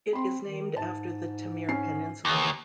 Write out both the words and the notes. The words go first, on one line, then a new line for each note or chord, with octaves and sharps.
It is named after the Taymyr Peninsula.
C4 B5 C6
D#3
G#2 A5
C#4 C7
D#2 E3 D#6 A#6